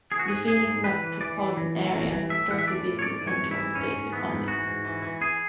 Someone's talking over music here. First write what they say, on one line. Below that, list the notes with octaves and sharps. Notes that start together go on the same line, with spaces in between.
The Phoenix Metropolitan area has historically been the center of the state's economy.
E3 G#4
F#4
G#2 G#4
G#2 G#4
G#2
E3 B4
E3
E3 D5
E3
E3
A2
E3
E3
A2 E5
E3 F#5
E5
A2 D5
A2
C#5
G#2 D5
E3
C#5
G#2
E4
E3
G#2 C#4
G#2
E3 B3
G#2
E3 F#4
G#2
E3
E3
E3 G#4